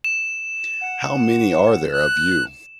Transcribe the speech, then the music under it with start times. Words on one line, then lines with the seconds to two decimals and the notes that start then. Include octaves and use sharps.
How many are there of you?
0.04 E7
0.81 F#5
1.92 F#6